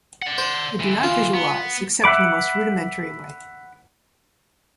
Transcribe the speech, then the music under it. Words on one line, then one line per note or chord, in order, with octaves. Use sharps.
I do not visualize except in the most rudimentary way.
D5 F#5
C5
D2 E3
F4
B3
E5 F#5 B5 D6